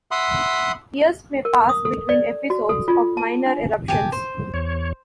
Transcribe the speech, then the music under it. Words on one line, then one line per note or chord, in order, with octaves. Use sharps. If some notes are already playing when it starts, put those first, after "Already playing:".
Years may pass between episodes of minor eruptions.
E5 F#5 B5 C6 D#6
A#4
D#6
A4
D5
F#4
A4
F4
A5
D4
G4 G#5 A5
C5
E2 C#5